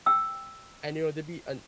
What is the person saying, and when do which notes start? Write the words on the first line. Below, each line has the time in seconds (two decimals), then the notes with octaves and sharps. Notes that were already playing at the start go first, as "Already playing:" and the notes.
and, you know, to be an
0.06 G5 E6